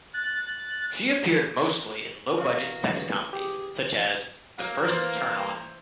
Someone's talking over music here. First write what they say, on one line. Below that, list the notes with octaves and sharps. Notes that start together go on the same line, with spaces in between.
She appeared mostly in low-budget sex comedies, such as The First Turn-On!
F#6 A6
B2 E3 F#4 A#4 F5
C#3
G4 G#4 D6
F#3 A#3 F5
E3 C5 A6